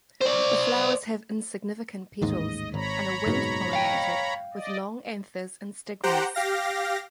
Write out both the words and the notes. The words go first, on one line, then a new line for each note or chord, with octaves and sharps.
The flowers have insignificant petals and are wind-pollinated, with long anthers and stigmas.
C5 D5
A1 D#2 G#2 D#5
G#1 C#5 A#5 B5
F#1 G#2 B2
F5 G5
D5 D#5
G4 C5 F#5 G5 A#5
G4 F5 A#6